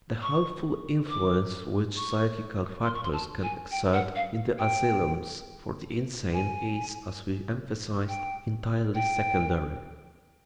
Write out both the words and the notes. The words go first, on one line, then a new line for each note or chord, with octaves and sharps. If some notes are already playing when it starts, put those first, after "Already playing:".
The helpful influence which psychical factors can exert in the asylums for the insane is, as we emphasized, entirely secondary.
C#6
D6
C#6
C6
C#6
C6
A5
G#5
G5
F#5
F5
G5
G#5
G5
G5